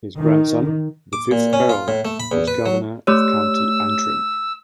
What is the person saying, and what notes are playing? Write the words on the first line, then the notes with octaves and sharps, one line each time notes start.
His grandson, the fifth Earl, was Governor of County Antrim.
D#3
D6
A#2
C#4
F4
A2
A3
B5
E2
B4
F#3
A3 G4 C#5 E6